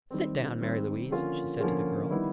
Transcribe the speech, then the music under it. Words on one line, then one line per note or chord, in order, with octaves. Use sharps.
"Sit down, Mary Louise," she said to the girl.
D#3 G3 C4
D#3 G3 C4
D3 F3 A#3 C#4 F4
D3 F3 A#3 C#4 F4
D#3 G3 B3 E4